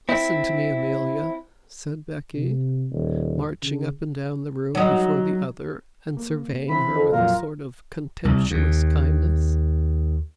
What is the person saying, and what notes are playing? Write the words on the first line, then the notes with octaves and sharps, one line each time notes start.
"Listen to me, Amelia," said Becky, marching up and down the room before the other and surveying her with a sort of contemptuous kindness.
C4 E4
C3
D#1
C#3
F#3 D#4
A#3
E3 C4 B5
F2
F2 A#2 F#3 F4 A#4
C2
D#2